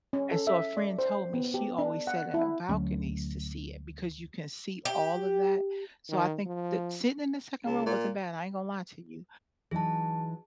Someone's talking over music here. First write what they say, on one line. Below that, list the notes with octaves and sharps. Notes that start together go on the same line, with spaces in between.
and so a friend told me she always sat in a balcony to see it because you can see all of that so I think that sitting in the second row wasn't bad I ain't gonna lie to you
C#4
A4
E5
D5
C5
B3
G4
D4
F#5
E4
D2 F#3 A3 C#4
G4
D#3
F3
C#2
A#2
E3 F#3 D#4 G#4 A5